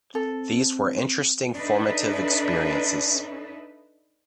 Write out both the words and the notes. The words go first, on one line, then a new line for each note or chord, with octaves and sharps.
These were interesting formative experiences.
C4 A4
D4 D#4 A4 B4 E5